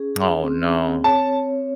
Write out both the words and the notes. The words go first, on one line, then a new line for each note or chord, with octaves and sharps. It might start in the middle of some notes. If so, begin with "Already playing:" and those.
Oh no.
Already playing: C#4 G#4
G#4
C4
C4
C#5 A5